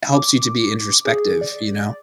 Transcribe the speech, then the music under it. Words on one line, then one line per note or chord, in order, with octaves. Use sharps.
helps you to be introspective, you know?
D6
G#4
D5